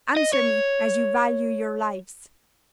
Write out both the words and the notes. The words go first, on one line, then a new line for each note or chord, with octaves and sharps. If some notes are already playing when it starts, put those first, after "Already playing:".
Answer me, as you value your lives.'
D#5
C#5